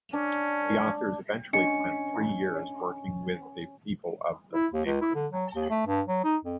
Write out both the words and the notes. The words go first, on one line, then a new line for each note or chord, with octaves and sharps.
The authors eventually spent three years working with the people of the neighborhood.
C#4 D4
C#4 D4 D#5 C#7
E4
D#2
C#2
E4
D3
F#3
D#2
A3
G2
F#3
D#4
F2